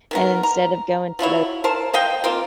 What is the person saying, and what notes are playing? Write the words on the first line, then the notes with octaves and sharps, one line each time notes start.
and instead of going to the
D#3 B3 A#4
A#5
F3 F#3 E4 C#5
A#4 C5 A5
C5 D#5 F5 G5
A#3 C4 F4